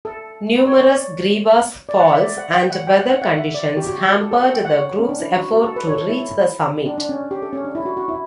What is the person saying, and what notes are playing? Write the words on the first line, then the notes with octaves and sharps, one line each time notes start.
Numerous crevasse falls and weather conditions hampered the group's efforts to reach the summit.
A4
B4
C#5
C#5
D5
D5
F#5
E5
D5
F#5
G5
F#5
G5
F#5
F#5
F#5
E5
D5
G4
F#4
G4
G4
A4
A4
F#5
G5
F#5
C#5
C#4
D4
E4
F#4
F#4
A4
B4
C#5
A4
E4
E4
D4
D4
C#4
G4
A4
C#4
D4
E4
F#4
F#4
E4